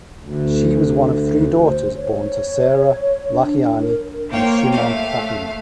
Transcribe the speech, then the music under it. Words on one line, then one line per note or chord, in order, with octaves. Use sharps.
She was one of three daughters born to Sarah Lahiani and Shimon Fahima.
D2
C5
C#5
D4
A#4
A#3 F4 C5 C#5 G5
A3 F5